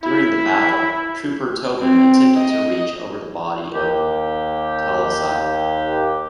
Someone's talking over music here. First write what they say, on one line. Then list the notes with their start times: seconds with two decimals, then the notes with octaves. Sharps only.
During the battle, Trooper Tobin attempted to reach over the body of Talaiasi.
0.03 E4
1.81 C4
2.38 D#5
3.74 D#2 G4